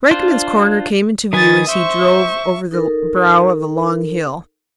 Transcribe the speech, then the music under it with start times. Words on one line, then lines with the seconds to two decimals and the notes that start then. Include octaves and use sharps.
Rykman's Corner came into view as he drove over the brow of a long hill.
0.11 D4 F4 C5
1.33 D#3 B4 G#5 D#6 A6
1.69 C5 E5 C#6
2.71 D#4 A4 A#4